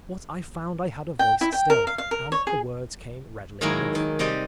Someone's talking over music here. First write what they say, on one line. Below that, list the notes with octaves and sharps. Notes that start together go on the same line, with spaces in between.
But I found I had a voice still, and the words came readily enough.
G5
E4
G5
A#4
F5
F5
A#4
C#5
G#4
D#3 F#3 G#3 A#3 E4 A#4
D#3
C3 G3 D5 D#5 G5